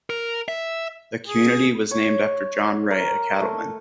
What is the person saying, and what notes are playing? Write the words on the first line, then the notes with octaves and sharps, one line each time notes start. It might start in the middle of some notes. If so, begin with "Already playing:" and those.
The community was named after John Wray, a cattleman.
A#4
E5
G#4
C#5
A#4
A3